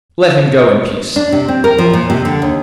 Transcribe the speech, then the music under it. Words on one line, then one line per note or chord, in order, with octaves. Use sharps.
Let him go in peace.'
D4
C3
C4
A#4
F3
A#2
C3
D3
D#2